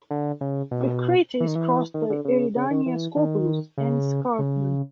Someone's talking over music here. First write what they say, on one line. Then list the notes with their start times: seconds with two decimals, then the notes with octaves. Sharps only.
The crater is crossed by Eridania Scopulus, an escarpment.
0.11 D3
0.41 C#3
0.71 B2
1.40 E3
1.48 D#3
1.56 E3
1.94 D#3
2.10 D3
2.25 C#3
2.56 C#3
2.71 D#3
2.86 E3
3.16 D#3
3.78 C#3
4.39 C#3